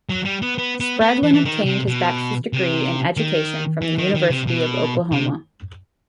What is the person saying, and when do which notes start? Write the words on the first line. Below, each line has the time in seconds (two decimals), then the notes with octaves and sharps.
Spradlin obtained his bachelor's degree in Education from the University of Oklahoma.
0.09 F#3
0.25 G3
0.42 B3
0.58 B3
0.80 B3
1.01 B3
1.23 E3
1.34 E3
1.45 D#3
1.66 C3
1.88 B2
2.53 C3
3.17 D#3
3.82 E3
3.98 D#3
4.15 D#3
4.30 C3
4.47 B2
5.12 C3